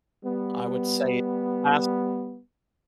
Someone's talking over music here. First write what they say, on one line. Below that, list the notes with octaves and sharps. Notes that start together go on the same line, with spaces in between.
I would say it has
G3 B3